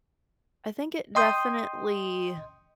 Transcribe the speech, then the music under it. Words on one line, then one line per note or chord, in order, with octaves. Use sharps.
I think it definitely
D#5 G5 C6 D#6 G6